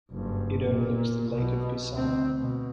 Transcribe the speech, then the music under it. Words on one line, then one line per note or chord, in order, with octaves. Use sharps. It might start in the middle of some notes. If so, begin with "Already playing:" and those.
It overlooks the Lake of Gusana.
F#1 G2
A#2
B1 B2
D2 C4
B2